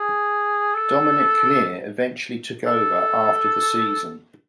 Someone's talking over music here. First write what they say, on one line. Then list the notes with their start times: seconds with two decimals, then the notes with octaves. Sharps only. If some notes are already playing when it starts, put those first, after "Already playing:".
Dominic Kinnear eventually took over after the season.
Already playing: G#4
0.75 A4
2.67 A4